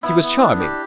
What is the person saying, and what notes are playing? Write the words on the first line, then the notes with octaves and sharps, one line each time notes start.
She was charming.
B3 E4
B3
D4
G4